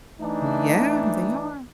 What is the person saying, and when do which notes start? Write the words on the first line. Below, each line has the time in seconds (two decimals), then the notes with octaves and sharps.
Yeah, they are,
0.20 E3 A3 D4 D#4